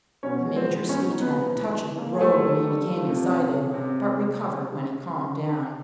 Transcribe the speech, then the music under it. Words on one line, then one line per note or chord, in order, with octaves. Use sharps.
The Major's speech had a touch of the brogue when he became excited, but recovered when he calmed down.
B2 C#4 C#5
G#3
C4 C5
B3
B2 C#4 C#5
D#4
B3 B4
B3
E3
E3
A#3
G#4
G3 A3 A4
E3
G3
F3
C3
C#4
C3
C3